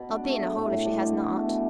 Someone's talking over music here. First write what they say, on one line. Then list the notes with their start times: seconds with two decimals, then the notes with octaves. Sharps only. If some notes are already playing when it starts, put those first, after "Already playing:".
I'll be in a hole if she has not.
Already playing: B2
0.09 D4
0.24 A3
0.40 A3
0.55 A2
0.70 A2
0.86 D4
1.01 B2
1.17 B2
1.31 A3
1.48 E3